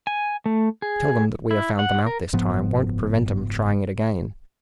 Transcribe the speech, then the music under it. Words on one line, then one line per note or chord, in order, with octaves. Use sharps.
To tell them that we have found them out this time won't prevent 'em trying it again.
G#5
A3
G#4
E4
F#5
A#4
F#1 G#2 F3 B3